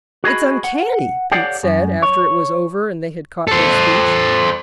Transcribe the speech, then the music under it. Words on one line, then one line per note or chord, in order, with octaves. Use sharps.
"It's uncanny," Pete said, after it was over and they had caught their speech.
F#4 G#4 D#5 B5
F#5
G4 A4 C#5 D5 F5 F#5
F#2
C#5
A4 C5